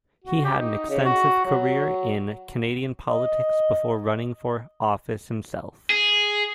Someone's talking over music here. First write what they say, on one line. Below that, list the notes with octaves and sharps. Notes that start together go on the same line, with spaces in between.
He had an extensive career in Canadian politics before running for office himself.
F#4
G4
D#4
C#3
F#4
F#3
D#5
G#4